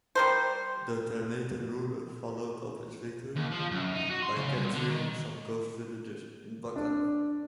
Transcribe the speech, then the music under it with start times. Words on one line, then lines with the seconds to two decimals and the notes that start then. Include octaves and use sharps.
The Ternatan ruler followed up his victory by capturing some coast villages in Bacan.
0.15 G3 A#4 C5
3.36 D#2
3.52 F3
3.72 F#2
3.94 D#4
4.10 F#4
4.22 C6
4.36 C#3
4.55 C2
4.73 D3
4.89 D#3
6.76 D4